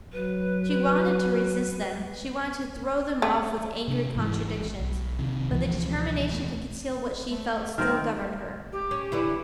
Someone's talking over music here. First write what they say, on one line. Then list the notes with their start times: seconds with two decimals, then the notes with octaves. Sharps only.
She wanted to resist them--she wanted to throw them off with angry contradiction--but the determination to conceal what she felt still governed her.
0.13 F#3 B4
3.22 A3
3.88 C3 D4
4.15 G#1 G#2 E3
4.80 B1
5.19 C3 D#3
5.51 C#2 B2 E3 F3
6.29 D#1 E2 A#2 A3
7.31 A3
7.78 D#3 C4 A#4 F6
8.72 G4
8.91 C#4
9.12 D3 E3 E4